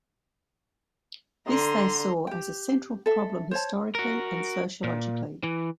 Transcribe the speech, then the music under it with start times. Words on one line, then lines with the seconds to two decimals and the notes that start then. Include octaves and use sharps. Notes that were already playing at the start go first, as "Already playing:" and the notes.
This they saw as a central problem historically and sociologically.
1.47 D3 A#5 C6
2.27 G4 G5
3.06 A4 E5
3.51 C5 C#5 A5
3.95 F#4 A#4
4.84 A#2
5.43 E3